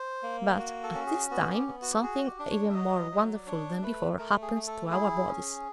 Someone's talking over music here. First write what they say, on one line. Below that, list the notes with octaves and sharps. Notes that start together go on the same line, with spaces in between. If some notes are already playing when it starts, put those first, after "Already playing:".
But at this time something even more wonderful than before happens to our bodies.
Already playing: C5
A#3
F#4
A4
C#4
G#4
B3 F#4
G4
B3
F#4
G4
F#4 G#4
G4
D4
C#5
E5
F#3 D#5
F#3
D5
D4 C#5
A3 B4
A3 A#4
G#4
A3
A4
E4 G#4
C#4